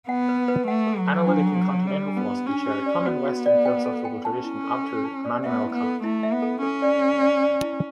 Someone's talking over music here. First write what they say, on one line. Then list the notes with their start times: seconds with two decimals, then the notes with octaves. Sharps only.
Analytic and continental philosophy share a common Western philosophical tradition up to Immanuel Kant.
0.08 B3 F#5
0.29 B4
0.48 B4
0.68 A3 F#5
0.87 A4
0.97 F#3
1.07 A4
1.27 D4
1.47 A4
1.67 C#5
1.87 G3 D5
2.07 D4
2.16 B3
2.26 G4
2.46 C#4 D4
2.67 G4
2.86 D5
3.05 B3 F#4
3.25 F#4
3.46 D5
3.65 G5
3.86 A4
4.05 G5
4.25 C#4 A5
4.44 E4
4.64 A4
4.84 A4
5.05 A5
5.24 D5
5.44 B3 E5
5.64 E4
5.74 B3
5.83 A4
6.03 A3 E4
6.23 E5
6.33 B3
6.42 A4
6.63 C#4 A4
6.82 D5
7.02 D5
7.22 D5
7.42 D5
7.62 E4